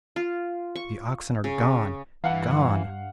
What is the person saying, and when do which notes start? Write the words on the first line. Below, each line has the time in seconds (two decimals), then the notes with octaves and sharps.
The oxen are--gone--gone!'
0.16 F4
0.76 C#6
1.44 C#3
2.24 G2 E3 F5 F#5